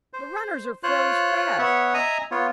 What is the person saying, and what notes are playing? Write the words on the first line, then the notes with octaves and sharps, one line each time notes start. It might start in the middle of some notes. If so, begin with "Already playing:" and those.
The runners are froze fast.
C5
F4 C5 C#5 F#6
B3 C#5 E5 F#5
D#5 E5 G#5 A#5 D#6
B3 F4 C#5